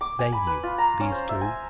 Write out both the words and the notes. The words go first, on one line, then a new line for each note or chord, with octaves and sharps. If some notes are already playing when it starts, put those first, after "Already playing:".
THEY knew, these two.
D6
G#5
B5
B4
F4
A#5
C#4
C5
E5
G#5